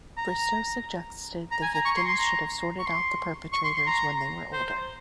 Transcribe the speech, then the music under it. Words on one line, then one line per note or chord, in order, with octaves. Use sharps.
Bristow suggested the victims should have sorted out the perpetrators when they were older.
A#5
A#5
G#5
A#5
C#6
C6
C6
A#5
C#6
C6
C#6
C6
C6
A#5
C5